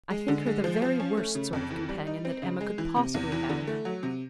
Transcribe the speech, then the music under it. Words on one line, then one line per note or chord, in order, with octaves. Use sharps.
I think her the very worst sort of companion that Emma could possibly have.
G#3
D3
G#3
F3
F3
C#4
A3
C#3
F2
E3
G3
D#4
C4
C#3
G#3
E3
C3
E2
E3
D3
A3
F#3
C3